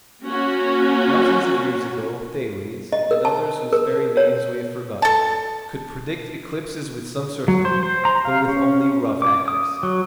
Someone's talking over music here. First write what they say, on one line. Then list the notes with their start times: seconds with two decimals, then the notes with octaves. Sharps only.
Thousands of years ago, Thales, and others whose very names we have forgotten, could predict eclipses with some certainty, though with only rough accuracy.
0.25 A#3 C#4 F#4
2.93 D#5
3.11 A#4
3.25 A5
3.73 A#4
4.17 C#5
5.02 A4 A5
7.48 F#3
7.65 C5
7.83 C5
8.05 A#5
8.25 F5
8.48 C#4
9.22 D6
9.48 D#6
9.83 F#3